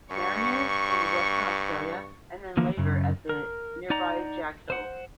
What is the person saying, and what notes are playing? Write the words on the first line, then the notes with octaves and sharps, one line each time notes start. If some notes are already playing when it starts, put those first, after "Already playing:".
Narryer in Western Australia and then later at the nearby Jack Hills.
G2 C#6
D3 E3 F3 A#3
F#2 C#3
A#4
D#4 D5 F#5 A#5
C5 F#5